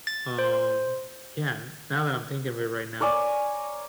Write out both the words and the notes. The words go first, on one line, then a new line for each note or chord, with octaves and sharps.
um, yeah, n now that I'm thinking of it right now,
A6
C5
A#4 C#5 D5 G#5